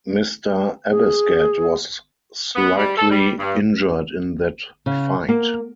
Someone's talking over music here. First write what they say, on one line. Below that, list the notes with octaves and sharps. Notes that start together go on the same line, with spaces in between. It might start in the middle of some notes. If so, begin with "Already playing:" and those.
Mr. Abescat was slightly injured in that fight.
G#4
B3
G3
A4
G3
G2
C#3
A#3